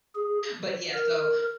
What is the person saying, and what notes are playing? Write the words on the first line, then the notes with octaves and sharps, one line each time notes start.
But yeah, so
G#4
A#4